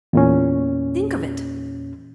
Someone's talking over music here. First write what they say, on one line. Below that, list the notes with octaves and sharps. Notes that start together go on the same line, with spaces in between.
Think of it!
E2 A#2 C#4